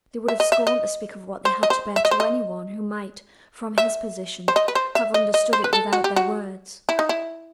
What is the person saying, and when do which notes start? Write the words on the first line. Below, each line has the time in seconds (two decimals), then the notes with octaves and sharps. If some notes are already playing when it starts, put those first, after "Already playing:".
They would have scorned to speak of what they had to bear to any one who might, from his position, have understood it without their words.
0.28 E5
0.40 D#5
0.52 E5
0.67 D#5
1.45 C5
1.63 D#5
1.70 C5
1.96 E5
2.05 D#5
2.11 C5
2.20 D#5
3.78 E5
4.48 C5
4.56 D#5
4.68 B4
4.75 C5
4.95 E5
5.14 D#5
5.34 D#5
5.53 C5
5.64 B4
5.73 A4
5.93 F#4
6.04 G4
6.16 F#4
6.89 E4
6.99 D#4
7.09 E4